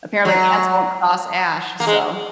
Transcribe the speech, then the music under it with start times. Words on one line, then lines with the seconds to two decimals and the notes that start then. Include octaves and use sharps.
apparently ants won't cross ash so
0.25 F#3
1.80 A#3
1.87 G#3